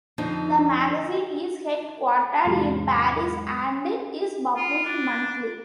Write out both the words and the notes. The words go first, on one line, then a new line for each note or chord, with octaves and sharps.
The magazine is headquartered in Paris and is published monthly.
F2 D3 D#4
E2 G#2 C3 E3 F#3 G#3
F4
D4